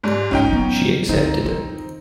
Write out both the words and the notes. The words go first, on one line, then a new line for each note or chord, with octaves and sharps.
She accepted it.
G#2 G3
B1 G#2 C#4 D#4 G5
F#3 B3
D2 D3 C4 D#4
F2 D#3